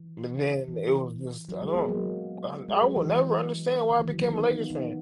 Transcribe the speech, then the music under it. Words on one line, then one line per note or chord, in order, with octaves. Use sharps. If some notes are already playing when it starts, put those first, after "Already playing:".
but then it was just, I don't I I will never understand why I became a Lakers fan.
Already playing: E3
E3
F#3
G#3
G#3 B3
F#3 A#3
G#3
F#3
E3
E3
D#3
E3
F#3
F#3 A#3
B3 D#4
B3 D#4
B3 D#4